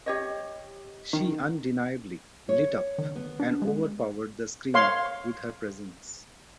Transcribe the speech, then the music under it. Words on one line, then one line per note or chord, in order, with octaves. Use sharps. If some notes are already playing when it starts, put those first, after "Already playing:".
She undeniably lit up and overpowered the screen with her presence.
G4 C#5 D#5
D#3
C#5
D#3
B3
D4
G#3
C#5 F5 C6